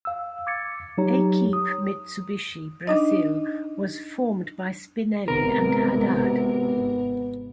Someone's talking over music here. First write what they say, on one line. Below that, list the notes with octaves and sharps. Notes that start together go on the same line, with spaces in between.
Equipe Mitsubishi Brasil was formed by Spinelli and Haddad.
F5 E6
D6 G#6 A6 C#7
F#3 D#4 G4 C#5 A#5
D#6
D4 D#4 D#5
G#1 C3 B3 A#4